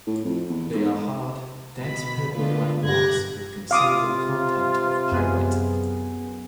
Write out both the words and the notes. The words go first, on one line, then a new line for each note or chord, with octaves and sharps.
They are hard, dense purple-black rocks with considerable content of pyrite.
A2
F2
E2
G#2
B2 B5 B6
D3 G#3 A3 B3 F4 B4
G2 G4 F#6 G#6 A#6
C3 F4 F5 D6 D#6
F#2 B3 G#4